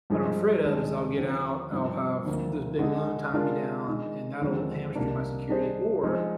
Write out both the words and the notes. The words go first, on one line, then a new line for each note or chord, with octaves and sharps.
what I'm afraid of is I'll get out, I'll have this big loan tie me down and that'll hamstring my security or,
G2 F3 G#3 D#4 G#4
D#2 D#3 G#3 D4
D#2 D3 F3 C4
G2 F3 C4 D#4
D2 D3 F3 A#3
D3 G#3 D#4 G#4
D3 G#3 D4 F4 A#4
D#3 G#3 D#4
D#2 D3 F3 G#3 C4
C2 C3 D#3 A#3 D4
D#3 G3 D4 G#4 C5
F3 G#3 D#4 G#4 C5